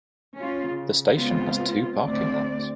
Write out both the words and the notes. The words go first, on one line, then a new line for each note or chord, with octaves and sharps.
The station has two parking lots.
C#4 F4
C#3
C#3 G#3 B3 C4 F4
D2 C4 D5